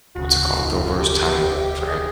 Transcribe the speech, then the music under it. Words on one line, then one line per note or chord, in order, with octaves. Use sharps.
what's it called? The worst time of your life right?
E1 D2 C#3 F#4
D#4
E4
F4
F#4
G4
G#4